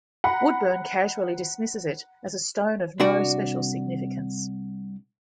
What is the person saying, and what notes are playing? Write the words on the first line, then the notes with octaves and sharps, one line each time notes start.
Woodburn casually dismisses it as a stone of no special significance.
F#5 A#5 B5
C2 D4 F#4 D5